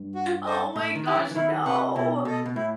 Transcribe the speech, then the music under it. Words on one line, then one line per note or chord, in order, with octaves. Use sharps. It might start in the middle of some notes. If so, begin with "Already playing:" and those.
Oh, my gosh, no,
Already playing: G2
F#4
A4 C5 D#5
A2 A3
D#3
E4 G4
E3
E3
D#3 E4
C3 B4 F#5
B2 E4
B2 A4 D#5
B2
A2 E4